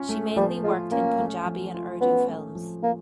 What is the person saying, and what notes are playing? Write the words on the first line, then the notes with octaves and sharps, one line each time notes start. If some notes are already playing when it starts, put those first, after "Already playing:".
She mainly worked in Punjabi and Urdu films.
Already playing: C#4 F4
A3
F3 G3
G#3 F4
A#3 C#4
A3
F3
F4
B3 C#4
A3
F3
A#3